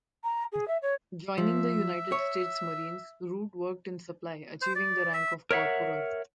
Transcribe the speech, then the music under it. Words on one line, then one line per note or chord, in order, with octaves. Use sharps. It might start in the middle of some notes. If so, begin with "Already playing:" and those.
Joining the United States Marines, Root worked in supply, achieving the rank of corporal.
A#5
G#4
E5
C#5
F3 E5
C#5
C5
D5
E5
A#4 C#5 E5 F#5